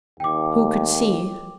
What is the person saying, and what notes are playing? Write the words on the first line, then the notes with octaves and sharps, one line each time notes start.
Who could see?
D#2 G5 D6